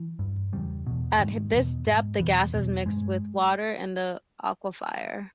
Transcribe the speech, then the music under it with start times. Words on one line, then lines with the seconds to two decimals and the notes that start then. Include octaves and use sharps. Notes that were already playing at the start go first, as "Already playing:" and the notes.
At this depth, the gases mixed with water in the aquifer.
Already playing: E3
0.19 G2
0.53 E2 C#3 G3
0.86 E2 B2
1.19 G#2 D#3
1.53 E2 B2
1.87 G#2
2.19 E2 B2 E3
2.54 E2 B2
2.86 G2 G#3